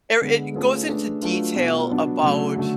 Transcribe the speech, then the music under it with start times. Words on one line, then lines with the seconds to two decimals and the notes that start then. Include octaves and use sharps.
er it goes into detail about
0.21 D3 G#3 B3
0.55 A3 C#4 F4 G#4 B4
0.88 A3 D4 G#4 B4
1.22 F#3 A3 D4 F4 B4
1.55 B2 A3 F4
1.89 F#3 B3 D4
2.22 C#3 F#3 A3
2.56 D3 F#3 A3